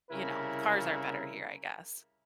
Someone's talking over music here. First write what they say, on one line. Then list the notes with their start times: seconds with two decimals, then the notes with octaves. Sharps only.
you know cars are better here, I guess.
0.10 C2 C#3 E4 A#4